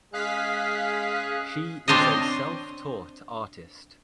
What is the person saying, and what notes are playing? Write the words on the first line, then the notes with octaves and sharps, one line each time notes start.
She is a self-taught artist.
G#3 C#4 G#4 F5 F#6 B6
C4 D4 C5 C#5 D#5